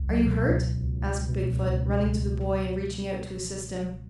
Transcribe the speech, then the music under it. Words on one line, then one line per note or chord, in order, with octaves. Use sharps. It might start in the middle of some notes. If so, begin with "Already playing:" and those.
"Are you hurt?" asked Big-foot, running to the boy and reaching out to assist him.
Already playing: C#2
F#3
B2
C#2
C#2
C#2
C#2
C#2
B2
C#2
C#2
C#2
C#2
C#2